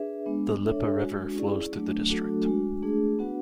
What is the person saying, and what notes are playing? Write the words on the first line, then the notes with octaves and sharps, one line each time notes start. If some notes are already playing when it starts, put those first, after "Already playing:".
The Lippe River flows through the district.
Already playing: D4 G#4 B4 E5
G#3 B3 D4
D4 A4 C#5 E5
G#3 D4 F#4
C#4 E4 G#4 D5
F#3 A3 D4
F#3 A3 D4 F#4 A4
G#3 D4 F#4
A3 D4 G#4
B3 D4 F#4 B4 F#5